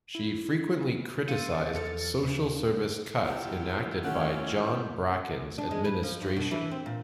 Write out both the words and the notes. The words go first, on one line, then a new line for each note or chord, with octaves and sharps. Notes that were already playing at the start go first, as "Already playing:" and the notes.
She frequently criticised social service cuts enacted by John Bracken's administration.
E4
F5 C6 E6 A6 C#7 D#7
E2 F3 A4 F6 A6 C#7
D#2 C#3
E4 F4 G4 F#5 G5 A5 A#5
D#3 A3 C#4 F#4 F#5
D4
G#3
B4
F3
G2
B2
E3
C4
A#2